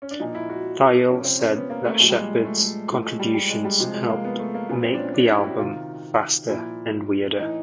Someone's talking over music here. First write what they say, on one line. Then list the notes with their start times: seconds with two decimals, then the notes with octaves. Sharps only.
Thayil said that Shepherd's contributions helped make the album "faster" and "weirder".
0.02 C#4
0.11 D4
0.20 A#2 F3 D#4
0.35 E4
0.50 F#4
1.10 C3 F3 C#4
1.25 C4
1.39 C#4
1.55 B3
1.70 A#3
1.85 A3
1.99 A#2 F3 G#3
2.10 G3
2.15 G#3
2.45 A3
2.59 A3
2.89 A2 F3 A3
3.05 G#3
3.20 G3
3.34 G3
3.49 G#3
3.64 G3
3.79 C3 F3 G#3
3.94 G#3
4.09 A#3
4.25 B3
4.39 A3
4.54 A#3
4.69 A#2 F3 B3
4.84 C4
4.94 D4
4.99 C#4
5.14 D4
5.29 E4
5.38 G4
5.44 F#4
5.59 C3 D#3 F4
6.49 A#2 F3 E4
7.38 A2 E3 D#4